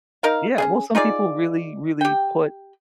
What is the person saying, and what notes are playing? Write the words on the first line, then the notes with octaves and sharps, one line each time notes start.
yeah, well, some people really, really put
D#4 A#4 F5
C#4 D4 G#4
D#4 F4 G#4 D5
G4 G5